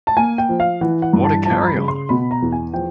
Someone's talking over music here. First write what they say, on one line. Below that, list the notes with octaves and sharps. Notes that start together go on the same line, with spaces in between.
What a Carry On!
A5
A#3 G#5
G5
F3
F5
E3 F#5
F#5
G2
A5
F3 A5
A#5
B5
C#3
C6
B2 B5
A#5
E2
G#5
F3 G5